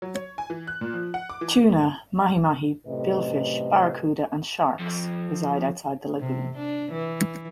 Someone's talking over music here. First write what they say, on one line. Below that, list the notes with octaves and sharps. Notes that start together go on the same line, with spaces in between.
Tuna, mahi-mahi, billfish, barracuda and sharks reside outside the lagoon.
F#3
C#5
G#5
E3
F#6
A#2
F3
F#5
D6
E3
F#2 A2 C3 A4 B4 D#5
F2
C3
D4
E3